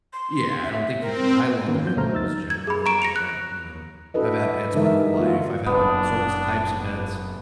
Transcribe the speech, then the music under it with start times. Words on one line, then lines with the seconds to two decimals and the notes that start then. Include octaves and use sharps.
Yeah, I don't think you can I love animals generally, like, uh, you know, I've had pets my whole life. I've had all sorts of types of pets,
0.13 C6
0.63 E5
1.01 C4 A#4
1.68 D#3 A#3 B3 C#4
1.85 F3 F#3 G6
1.97 D2 B2 A3 C5 A#5 F6
2.13 D#4 E6 A6
2.50 G#6
2.67 G#4 B5
2.86 A#5 C#6 D7 E7
3.02 A#6 C#7 F7
3.16 F#6
4.14 D4 E4 F#4 A4 B4 D#5
4.74 D3 E3 G#3 D#4 A#4 E5
5.19 A#3 F4 F#4
5.66 F#1 F#2 A#2 B3 D4